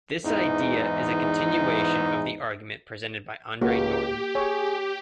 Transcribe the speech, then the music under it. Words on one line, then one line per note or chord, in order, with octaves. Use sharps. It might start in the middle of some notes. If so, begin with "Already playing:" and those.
This idea is a continuation of the argument presented by Andre Norton.
E2 G#2 E3 D#4
C#2 A#3 F#4 G4
G#4 C#5